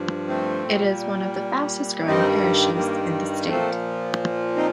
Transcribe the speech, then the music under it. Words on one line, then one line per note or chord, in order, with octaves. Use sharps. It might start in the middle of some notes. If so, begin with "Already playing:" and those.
It is one of the fastest growing parishes in the state.
Already playing: G2 F3
A3 C4
A#2 G3
G2 D#3 G3 C4 D#4
A#3
A#2 F3 A3 C4
C4 D#4